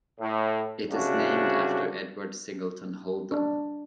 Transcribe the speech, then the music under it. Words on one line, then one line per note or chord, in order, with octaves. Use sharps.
It is named after Edward Singleton Holden.
A2
C2 C#3 D4 F#4
D4